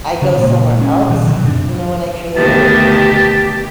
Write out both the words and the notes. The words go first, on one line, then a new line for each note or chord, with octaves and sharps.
I go somewhere else, you know, when I create.
C#3
A#2 G#3
C#4
A#2 D#3 F3 F#3
B2 D3 F#3 C4
F#2 D4
D2 B2 D#3 G4 A5